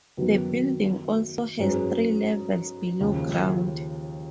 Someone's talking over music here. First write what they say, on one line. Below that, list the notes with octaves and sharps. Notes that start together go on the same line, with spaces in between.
The building also has three levels below ground.
F#2 D#3 F#3 B3
G#2 F#3 C#4 G#4 B4
D#2 C#3 F3